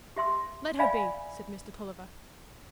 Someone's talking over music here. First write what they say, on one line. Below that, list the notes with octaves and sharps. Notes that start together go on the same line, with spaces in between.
"Let her be," said Mr. Tulliver.
G4 E5 C6 E6
D5 E5 F5 G#5 B5